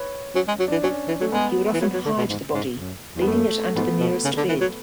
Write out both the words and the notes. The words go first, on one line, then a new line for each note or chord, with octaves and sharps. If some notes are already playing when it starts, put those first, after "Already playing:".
He would often hide the body, leaving it under the nearest bed.
Already playing: B4 C#5
F#3 C#4
G#3
F#3
D4
E3
F#3 C#4
E3
F#3 A3
G#3 B3
E3
F#3
F#3
D3
B2
G#2
G#2
F#2
E2
B3
F#2 A3
G#2 B3
B2
C#3
D3
E3
F#3